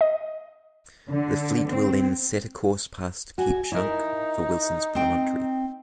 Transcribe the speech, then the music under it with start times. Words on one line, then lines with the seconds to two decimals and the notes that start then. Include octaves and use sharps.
The fleet will then set a course past Cape Schank for Wilson's Promontory.
0.01 D#5
1.08 D3
1.66 C4
3.38 F#4 G#5
3.72 D#4 E4 A#4
4.95 C4 G5